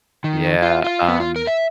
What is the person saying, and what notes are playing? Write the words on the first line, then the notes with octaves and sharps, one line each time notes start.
Yeah, um
D#3
F4
F4
B3
F4
A#4
E5